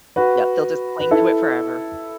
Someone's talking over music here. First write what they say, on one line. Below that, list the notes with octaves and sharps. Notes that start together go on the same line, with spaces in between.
Yep, they'll just cling to it forever.
F#4 B4
B4
E4 A4